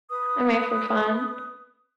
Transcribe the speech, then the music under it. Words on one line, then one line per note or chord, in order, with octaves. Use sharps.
I might for fun,
B4 D#6